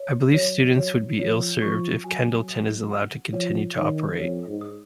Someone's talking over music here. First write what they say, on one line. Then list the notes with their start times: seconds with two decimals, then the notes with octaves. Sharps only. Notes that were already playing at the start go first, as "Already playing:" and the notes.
I believe students would be ill-served if Kendleton is allowed to continue to operate.
Already playing: C#5
0.34 F#3 C#5
0.77 F#3 C#5
1.19 F3 C#5
1.61 F3 C#6
2.04 F#3 G#5
2.48 D#6
2.91 F#5
3.32 F3 C#5
3.76 D#3 C#5
4.18 F2 C#5
4.47 G#2
4.61 D#6